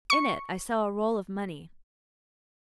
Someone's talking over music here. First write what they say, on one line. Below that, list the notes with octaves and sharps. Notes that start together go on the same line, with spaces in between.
In it I saw a roll of money.
C#6 C#7